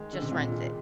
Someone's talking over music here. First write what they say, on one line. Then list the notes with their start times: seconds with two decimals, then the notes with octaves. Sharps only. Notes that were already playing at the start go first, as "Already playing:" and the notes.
Just rinse it.
Already playing: D#3 G#3
0.13 D3
0.22 C3
0.31 A#2 G#3